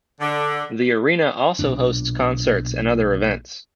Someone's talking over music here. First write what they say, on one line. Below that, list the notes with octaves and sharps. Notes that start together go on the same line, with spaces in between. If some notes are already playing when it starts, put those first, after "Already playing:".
The Arena also hosts concerts and other events.
D3
B1 A#2 D4